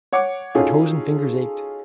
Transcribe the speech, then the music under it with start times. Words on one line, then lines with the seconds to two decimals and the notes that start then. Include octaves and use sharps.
Our toes and fingers ached.
0.13 C#5 F#5 D6 C#7
0.55 C#4 D#4 F4 F#4 G#4 A4